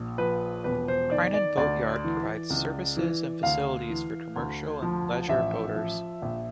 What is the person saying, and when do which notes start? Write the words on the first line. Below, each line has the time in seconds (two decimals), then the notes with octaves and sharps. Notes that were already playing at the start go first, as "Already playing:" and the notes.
Crinan Boatyard provides services and facilities for commercial and leisure boaters.
Already playing: A#1
0.18 F3 B4
0.64 E1 B4
0.88 C5
1.11 D#3 D5
1.34 D5
1.57 D2 D5
2.04 E3
2.50 C#2
2.97 E3
3.43 D2 F5
3.90 E3
4.36 D2
4.82 F3
5.28 A1 E5
5.76 F3
6.22 A#1